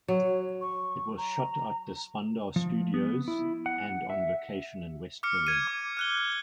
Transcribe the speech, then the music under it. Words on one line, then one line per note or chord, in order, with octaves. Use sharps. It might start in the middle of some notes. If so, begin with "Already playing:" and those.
It was shot at the Spandau Studios and on location in West Berlin.
F#3 C#5
C#6
A#5
F3
B3
E4
F#5
E5
D6 F6 C#7
G#6 D#7
D6
F6 F#6 G7